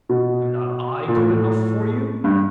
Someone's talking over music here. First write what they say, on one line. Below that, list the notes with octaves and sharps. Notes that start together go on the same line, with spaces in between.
Am not I good enough for you?'
B2
A#2
A2
G2